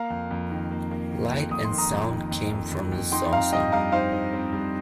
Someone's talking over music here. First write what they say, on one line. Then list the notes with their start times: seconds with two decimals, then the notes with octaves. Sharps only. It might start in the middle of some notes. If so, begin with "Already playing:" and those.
Light and sound came from the saucer.
Already playing: A#3 F5 A#5
0.10 F2
0.31 F2
0.50 D#3
0.71 A#3
0.91 A#3
1.11 D#3
1.31 F2
1.51 F2 D#6
1.65 C6
1.71 D#3
1.78 A#5 D#6
1.91 F2
2.11 D#3
2.31 F2
2.52 F2
2.71 F2
2.92 F2
3.12 D#4 G5 C6
3.32 C4 F5 A#5
3.52 G2 D#5 G5
3.72 G2 F5 A#5
3.92 D#4 C5 F5
4.12 D#4
4.33 C4
4.53 G2